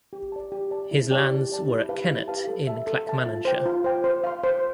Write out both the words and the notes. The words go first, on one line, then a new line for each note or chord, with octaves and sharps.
His lands were at Kennet in Clackmannanshire.
G4
D5 A5
G4
D5 A5
E4
G4 D5 A5
E4
G4 D5 A5
E4
G4 B4 F5 A5
E4
G4 B4 F5 A5
A4
E5 A5
A4
E5 A5
F4
C5 G5
F4
C5 G5
C5
F5 C6
C5